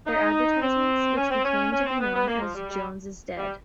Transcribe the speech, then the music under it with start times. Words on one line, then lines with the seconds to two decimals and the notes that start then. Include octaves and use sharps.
Their advertisements, which became to be known as Jones is Dead!
0.07 D#4
0.61 C4
1.17 C#4
1.30 C4
1.44 C#4
1.72 C#4
1.86 C4
2.00 B3
2.14 B3
2.28 A#3
2.42 F3
2.55 G3
2.69 G3
3.37 G3